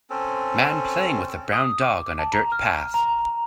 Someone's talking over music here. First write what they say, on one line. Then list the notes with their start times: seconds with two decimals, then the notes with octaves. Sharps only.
Man playing with a brown dog on a dirt path.
0.10 C4 C#4 A4
1.53 D#6
1.82 D6
2.19 A5
2.33 A#5
2.52 F6
2.94 A#5